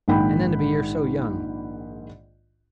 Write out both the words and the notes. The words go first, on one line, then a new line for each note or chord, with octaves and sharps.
And, then, to be here so young!
A#1 G#2 D#3 F#5 G5 B5